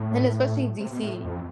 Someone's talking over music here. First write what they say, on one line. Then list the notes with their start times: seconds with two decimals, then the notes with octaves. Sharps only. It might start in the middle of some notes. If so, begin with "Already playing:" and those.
and especially DC
Already playing: A2
0.80 C3
0.91 B2
1.02 A2
1.24 F2